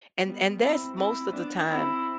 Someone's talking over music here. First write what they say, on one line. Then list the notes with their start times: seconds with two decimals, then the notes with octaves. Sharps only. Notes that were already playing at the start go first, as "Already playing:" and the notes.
and and that's, most of the time
0.24 G3 B3
0.59 C4 E4
0.96 C4 E4
1.32 B3 D4
1.67 C4 E4